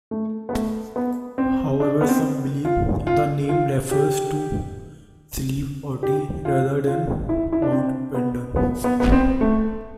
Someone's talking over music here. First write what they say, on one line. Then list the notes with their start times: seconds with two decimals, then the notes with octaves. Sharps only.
However, some believe the name refers to Slieve Aughty rather than Mount Brandon.
0.11 A3
0.49 B3
0.53 A3
0.96 B3
1.38 C4
1.80 D4
2.01 B3
2.09 C4
2.65 F4
3.07 F4
3.49 F4
3.91 G4
6.03 G4
6.45 F4
6.87 F4
7.29 E4
7.52 E4
7.62 D4
7.72 C4
8.14 B3
8.56 B3
8.84 B3
9.00 B3
9.12 C4
9.41 A3